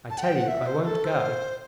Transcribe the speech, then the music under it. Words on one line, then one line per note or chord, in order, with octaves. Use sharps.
"I tell you I won't go."
A5
F#5
G5
F#5
E5
C5
B4
A4
C5